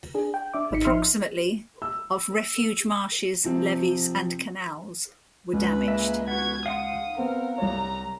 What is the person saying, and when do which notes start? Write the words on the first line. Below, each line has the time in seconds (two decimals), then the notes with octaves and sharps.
Approximately of refuge marshes, levees, and canals were damaged.
0.15 D4 G#4
0.34 G5
0.54 D4 E5 D6
0.71 G#1 D#4 B6 C#7
0.85 A1 F3 D#4 E5 C6 F6
1.82 E6
3.44 C3 F3 C4
5.53 C#2 B4
5.88 G#3 A#3 E5
6.28 B3 F#4 G#6
6.66 F5 F#5 C6 D#6
7.18 B3 C4 A#4
7.58 C2 C#5 A#5